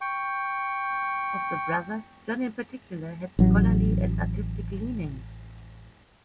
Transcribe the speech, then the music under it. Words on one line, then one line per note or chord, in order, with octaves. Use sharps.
Of the brothers, John in particular had scholarly and artistic leanings.
G5 C#6
A1 F#3